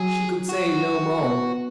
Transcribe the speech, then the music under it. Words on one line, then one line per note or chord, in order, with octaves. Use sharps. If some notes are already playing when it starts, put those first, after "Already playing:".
She could say no more.
Already playing: F#3 G#4
F#4
B3